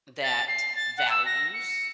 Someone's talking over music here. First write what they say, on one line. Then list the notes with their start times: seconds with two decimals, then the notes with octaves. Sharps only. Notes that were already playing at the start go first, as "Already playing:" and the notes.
that values
0.23 A6
0.48 C7
0.76 A6
0.97 F#5
1.10 E6
1.25 A#6
1.53 C#7